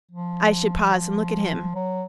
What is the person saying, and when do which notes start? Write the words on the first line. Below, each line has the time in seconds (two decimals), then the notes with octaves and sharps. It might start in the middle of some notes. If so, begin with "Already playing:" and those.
I should pause and look at him.
0.11 F3
0.92 F3
1.75 F#3